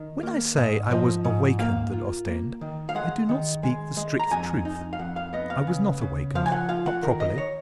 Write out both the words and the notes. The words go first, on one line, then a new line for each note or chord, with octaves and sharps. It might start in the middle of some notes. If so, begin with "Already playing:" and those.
When I say I was "awakened" at Ostend, I do not speak the strict truth. I was not awakened--not properly.
Already playing: D#3
A#3
G#2
F3 D#5
G#2
A#3 F5
F4
A#3
D#3
F5
G#3 F#5
D#3
G#3
G#3
A#5
F2 G#5
D#4
F5
F2 F#5
F5
B3 D#5
F5
C#3
C#3
F3 F5
G#5
F#5
F4 F5
F#5
D#3 A#4
D#5
C#5